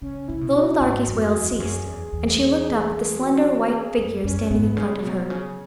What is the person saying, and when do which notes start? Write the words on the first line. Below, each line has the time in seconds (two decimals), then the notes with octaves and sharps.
The little darky's wails ceased, and she looked up at the slender white figure standing in front of her.
0.01 C#3 C#4
0.28 C#3 E4
0.41 B2
0.54 F#4
0.81 G#2
1.07 F#2
1.33 E2
1.52 E2
1.59 F#2 G#4
1.86 E2
2.13 E2
2.39 G#4
3.19 F#4
3.45 F#4
3.71 G#4
3.98 F#2
4.24 F#2 C#4
4.44 C#4
4.50 G#2 B3
4.77 C#3 G#3
5.03 B2 F#3
5.30 C#3